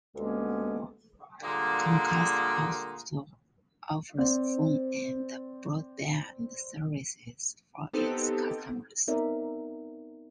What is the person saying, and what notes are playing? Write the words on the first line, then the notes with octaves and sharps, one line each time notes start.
Comcast also offers phone and broadband services for its customers.
D2 G2 G#3 A#3 B3 C#4
A#2 D3 G3 G#3 A#3
C4 C5 D5
B3 C4 D#4 G4 A4
B3 C4 D#4 A#4 D5 E5